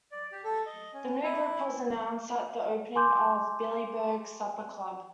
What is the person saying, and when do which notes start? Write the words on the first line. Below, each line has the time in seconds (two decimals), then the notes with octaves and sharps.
The new group was announced at the opening of Billy Berg's Supper Club.
0.12 D5
0.32 G4
0.44 A4
0.66 D#5
0.94 C#4
1.23 E4
2.95 G#5 C6 D6 G6